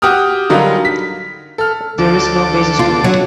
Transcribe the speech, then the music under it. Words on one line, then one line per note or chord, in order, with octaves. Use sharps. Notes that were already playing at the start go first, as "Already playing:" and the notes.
There is no basis to it.
F#4 G4 G5 D#6 F6
D3 F#3 G3 D#4 F4 A#4
B6
A4 F6
D2 A4 D6
F4
F#3